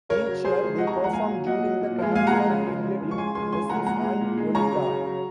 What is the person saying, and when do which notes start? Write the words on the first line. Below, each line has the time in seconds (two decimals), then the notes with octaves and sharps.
Each year they perform during the Carnival period in Recife and Olinda.
0.09 C#3 A#4 C#5
0.27 F#3
0.44 C3 G#4 C5
0.61 F3 G#3
0.78 C3 D#5 F#5
0.87 A#5 C#6
0.96 F3 G#3
1.04 F#5 A#5
1.13 A#2 F5 G#5
1.30 F#3
1.47 A#2 D#5 F#5
1.64 F#3
1.81 A#2
1.98 F3 G#3
2.15 A#2 F5 G#5
2.27 F#5 A#5
2.32 F3 G#3
2.50 C#3
2.67 F3 G#3
2.84 C#3
3.01 F3 G#3
3.11 C#6
3.18 C#3 G#5 C6
3.35 F3 G#3 G#5 C6
3.52 C#3 G#5 C6
3.69 F3 G#3 F#5 A#5
3.86 A#2 F#5 A#5
4.03 G#3
4.21 A#2
4.38 G#3
4.55 C#3 A#5 C#6
4.72 F#3
4.90 C#3
5.07 F#3